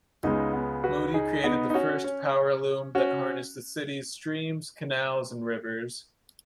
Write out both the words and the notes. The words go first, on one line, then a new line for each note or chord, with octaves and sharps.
Moody created the first power loom that harnessed the city's streams, canals, and rivers.
C#2 C#3 G#3 B3 D#4
B3
F#4 B4
D#4 G#4
B3 D#4
D#4
C#4 F#4
C#4
C#4 F#4